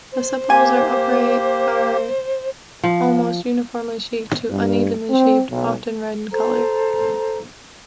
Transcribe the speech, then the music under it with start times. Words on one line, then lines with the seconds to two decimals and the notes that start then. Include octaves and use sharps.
The sepals are upright, are almost uniformly shaped to unevenly shaped, often red in color.
0.12 C5
0.50 A#3 G4 G#5
2.84 F3
4.49 G2
5.09 C4
5.49 B1
6.32 A4 C5 A#5